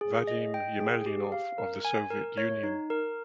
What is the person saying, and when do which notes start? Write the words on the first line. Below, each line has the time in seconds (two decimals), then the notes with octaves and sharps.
Vadim Yemelyanov of the Soviet Union.
0.01 G#4
0.27 D#5
0.54 G5
0.80 G#4
1.06 G4
1.32 F5
1.58 A#4
1.85 G#5
2.11 A#4
2.38 C#5
2.63 D#4
2.90 A#4